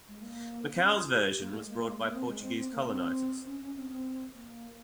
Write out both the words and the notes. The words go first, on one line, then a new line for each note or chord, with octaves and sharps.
Macau's version was brought by Portuguese colonizers.
G#3
A#3
C4
C#4
F4
G4
G4
A#3
G#3
A#3
G#3
A#3
C4
G#3
C4
C4
A#3
C4
C#4
C#4
C4
C4
A#3